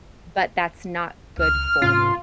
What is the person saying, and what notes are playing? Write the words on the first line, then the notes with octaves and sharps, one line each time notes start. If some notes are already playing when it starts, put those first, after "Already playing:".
but that's not good for me.
C#2 F6
G#2 C3 C#4 F4